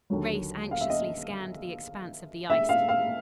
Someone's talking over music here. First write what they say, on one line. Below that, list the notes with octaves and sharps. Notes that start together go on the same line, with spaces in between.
Grace anxiously scanned the expanse of the ice.
D#2 D3 F#3
F5
E5
D#5
E5
F5
F5